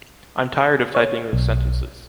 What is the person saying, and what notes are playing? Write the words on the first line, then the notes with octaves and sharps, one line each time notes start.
I'm tired of typing those sentences.
C#5
B1